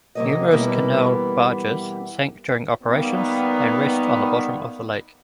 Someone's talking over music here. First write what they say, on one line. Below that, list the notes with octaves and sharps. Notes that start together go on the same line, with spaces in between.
Numerous canal barges sank during operations and rest on the bottom of the lake.
C3 F#3 G#3 A#3 G4 D#5
B2 E3 G3 A#3 B3 E4
D#3 G3 A#3 B3